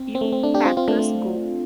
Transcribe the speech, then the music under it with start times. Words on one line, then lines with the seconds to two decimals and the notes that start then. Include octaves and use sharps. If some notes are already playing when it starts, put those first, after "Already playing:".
You Packers Go!
Already playing: C4
0.15 C4
0.21 A3
0.32 C4
0.43 A3 D4
0.54 D4 G4
0.65 C4 F4
0.77 C4 F4
0.88 A3 D4
0.99 A3